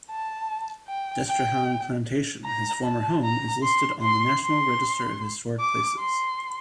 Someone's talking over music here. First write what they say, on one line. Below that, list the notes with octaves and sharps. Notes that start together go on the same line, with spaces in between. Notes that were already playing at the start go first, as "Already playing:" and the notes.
Destrehan Plantation, his former home, is listed on the National Register of Historic Places.
A5
G5
G5
A#5
A5
A#5
C6
C6
C6
D6
C6